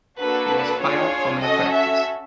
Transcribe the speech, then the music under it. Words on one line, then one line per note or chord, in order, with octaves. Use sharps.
He was fired for malpractice.
A#3 D4 F#4 A4 B4
D4 F4 G#4 C#5
C#4 F#4 A4 D#5
E5